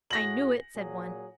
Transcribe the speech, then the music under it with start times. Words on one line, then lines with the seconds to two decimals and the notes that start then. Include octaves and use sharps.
'I knew it,' said one.
0.11 A2 F#4 G#4 A#6 F#7
0.75 A#2 F#3 G#4